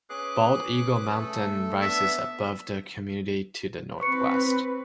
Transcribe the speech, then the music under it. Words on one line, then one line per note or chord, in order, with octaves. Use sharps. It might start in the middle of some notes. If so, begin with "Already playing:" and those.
Bald Eagle Mountain rises above the community to the northwest.
C#4 G#4 B4 D6 F#6
A3 A4
B3 D4 E5 A5
C4 B4 C#6 C#7